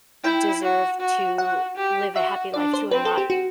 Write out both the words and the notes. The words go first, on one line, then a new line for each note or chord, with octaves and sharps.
deserve to live a happy life too and not
E4 G5
F#4
F#4
F#4 F#5
G4
F#4 E5
D4 D5
C5
C4 B4
A4
G4
F#4